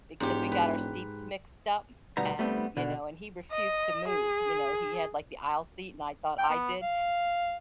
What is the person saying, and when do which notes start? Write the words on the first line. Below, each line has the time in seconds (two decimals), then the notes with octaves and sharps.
because we got our seats mixed up and, you know, and he refused to move, you know, he had, like, the aisle seat and I thought I did.
0.20 E1 G#2 G4
0.52 B4
2.17 D2 B2 G3 B3 D#4 A#5
2.39 G3 A3 B3 C4
2.77 B2 D3
3.51 D#5
4.09 G#4
6.39 G5
6.50 B3
6.83 F5